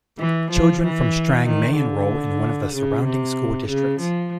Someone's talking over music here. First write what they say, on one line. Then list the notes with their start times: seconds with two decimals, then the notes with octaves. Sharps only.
Children from Strang may enroll in one of the surrounding school districts.
0.19 E3
0.51 F3
0.83 E3
1.46 D#3
1.78 D3
2.73 C#3
3.05 C3
3.68 C#3
4.00 F3